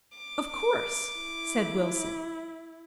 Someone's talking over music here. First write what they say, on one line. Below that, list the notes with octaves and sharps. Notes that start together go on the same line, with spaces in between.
"Of course," said Wilson.
D6
E4